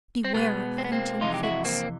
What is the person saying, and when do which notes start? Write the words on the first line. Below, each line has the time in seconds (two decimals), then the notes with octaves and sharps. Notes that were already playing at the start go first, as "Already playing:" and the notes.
Beware of fainting-fits...
0.24 C4
0.34 B2 G#3 B3
0.78 C4
0.84 B3
0.92 A#3 C4
1.21 F2 C3 E3 G#3 D#4 F4
1.34 G4
1.43 E4 F#4
1.65 A#3 C4